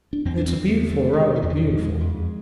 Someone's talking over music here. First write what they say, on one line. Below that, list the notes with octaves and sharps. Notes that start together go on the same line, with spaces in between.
It's a beautiful road, beautiful.
D4
E2 C4
D4
C4
E2
B3
D3
A3
D3 G#3
E3
E2 F3
E3
F3
E2
G#3
F2